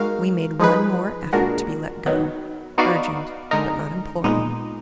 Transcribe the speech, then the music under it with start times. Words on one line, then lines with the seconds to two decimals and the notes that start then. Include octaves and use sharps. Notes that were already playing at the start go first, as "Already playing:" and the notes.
We made one more effort to be let go, urgent, but not imploring.
Already playing: G#3 D#4 F#4 A#4 F5
0.59 F3 G#3 D#4 G#4 B4
1.33 A#2 G#3 D4 F#4 A#4
2.06 D#3 F#3 B3
2.78 B3 D#4 F#4 D5 F5
3.51 D3 G#3 D#4 A#4
4.24 A#2 G#3 B3 D#4